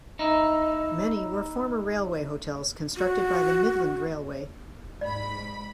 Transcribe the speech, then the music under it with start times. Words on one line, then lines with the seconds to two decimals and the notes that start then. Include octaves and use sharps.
Many were former railway hotels constructed by the Midland Railway.
0.19 D#4 E4
2.96 F#4
5.01 G#2 D5 B5